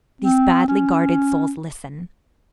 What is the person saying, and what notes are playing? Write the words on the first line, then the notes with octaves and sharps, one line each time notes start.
These badly guarded souls listen.
C4
C#4